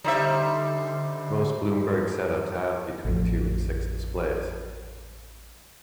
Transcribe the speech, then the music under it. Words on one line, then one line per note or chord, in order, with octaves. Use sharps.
Most Bloomberg setups have between two and six displays.
D3 G3 D#4 C5 E5
F#2
A1 F2